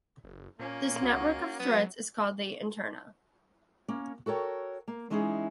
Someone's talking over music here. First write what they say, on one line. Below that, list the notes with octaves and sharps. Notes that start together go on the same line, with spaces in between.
This network of threads is called the interna.
F#1
A#2 A#3 C#4
C#2 F#4
F#3 B3
A#3 C#4
F#4 A4 A#4 C#5 G5
A#3
E3 G#3 C#4 D#4 E4 G#4